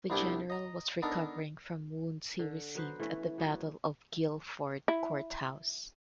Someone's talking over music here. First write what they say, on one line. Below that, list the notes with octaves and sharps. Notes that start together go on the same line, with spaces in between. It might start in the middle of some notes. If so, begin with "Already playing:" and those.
The general was recovering from wounds he received at the Battle of Guilford Courthouse.
C2 B3 D4 E4 G4
D#5 A#5
B3 D4 D#4 A4 A#4
D3
F#3 B3 B4 C5
E3 A3 C#4
F#3 B3 C#5
E4